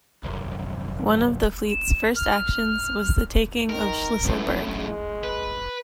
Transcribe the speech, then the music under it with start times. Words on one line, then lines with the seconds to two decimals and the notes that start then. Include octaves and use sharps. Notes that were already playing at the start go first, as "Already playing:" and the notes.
One of the fleet's first actions was the taking of Shlisselburg.
0.25 C2 F#2
1.70 E7
2.16 F6
3.70 D#3 A#4
4.24 F#2 A2 E3
4.77 G#3
5.24 B4